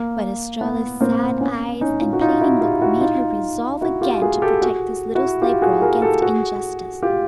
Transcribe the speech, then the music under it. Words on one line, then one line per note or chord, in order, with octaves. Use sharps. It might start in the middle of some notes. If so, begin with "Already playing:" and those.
But Estralla's sad eyes and pleading look made her resolve again to protect this little slave girl against injustice.
Already playing: A#3
B3
A#3 C4
B3 C#4
C#4 D#4
D#4 F4
F#4
D#4 F4
E4 F#4
F4 G4
E4 F#4
D#4 F4
E4 F#4
F4 G4
F#4 G#4
G4 A4
F#4 G#4
E4 F#4
F4 G4
F#4 G#4
G#4 A#4
G4 A4
F#4 G#4
F4 G4